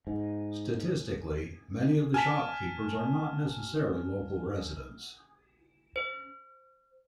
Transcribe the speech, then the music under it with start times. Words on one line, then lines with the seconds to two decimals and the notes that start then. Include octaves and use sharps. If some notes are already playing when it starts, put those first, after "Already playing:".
Statistically, many of the shopkeepers are not necessarily local residents.
0.07 G#2
2.14 G#5 A5 F6 B6
5.96 C5